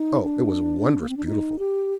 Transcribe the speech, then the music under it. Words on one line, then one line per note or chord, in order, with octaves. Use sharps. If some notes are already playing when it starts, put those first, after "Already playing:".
Oh, it was wondrous beautiful!
Already playing: D#4
D4
A#3
C4
D4
D#4
G4